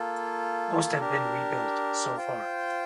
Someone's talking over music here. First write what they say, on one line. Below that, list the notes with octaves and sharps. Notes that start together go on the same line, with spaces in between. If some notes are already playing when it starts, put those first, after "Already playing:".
Most have been rebuilt so for.
Already playing: A#3 F4 A4
D4 G4 A#4
F4 C5 G5